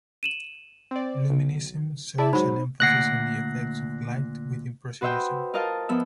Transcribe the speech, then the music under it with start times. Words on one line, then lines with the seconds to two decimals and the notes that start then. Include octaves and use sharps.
Luminism shares an emphasis on the effects of light with impressionism.
0.23 D#7 E7 F#7
0.91 C4 D5
1.30 B1
2.18 E4 G#4 D5 E5 A5
2.33 G#2 F#3 D#4 C5 B5
2.80 D2 A#2 F#5 F#6 A#6 C7
5.01 F#4 B4 C5 D#5 E5 G5
5.54 F4 A#4 D#5 F5 A5
5.89 F3 B3 E5